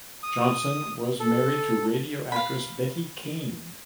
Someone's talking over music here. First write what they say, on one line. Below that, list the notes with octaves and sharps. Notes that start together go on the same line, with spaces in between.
Johnson was married to radio actress Betty Caine.
D#6
A4
F5 B5